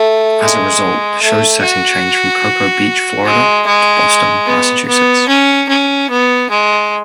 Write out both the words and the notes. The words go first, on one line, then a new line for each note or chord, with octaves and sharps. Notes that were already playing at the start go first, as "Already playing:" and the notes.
As a result, the show's setting changed from Cocoa Beach, Florida to Boston, Massachusetts.
Already playing: A3
G#3
A3
F#4
G#3
G#3
B3
B3
C#4
C#4
B3
G#3